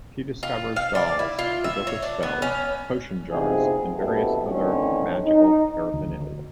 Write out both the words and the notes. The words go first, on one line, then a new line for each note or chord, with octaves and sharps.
She discovers dolls, a book of spells, potion jars, and various other magical paraphernalia.
F4
F5
D5
E4
F4
E5
C#5
D4
B3
C#4
D2 C3 F3 B3 D#4 G#4
A#1 F#2 B2 E4 G4 A4
E2 A2 D3 D#3 C4 C#4
D#4
D2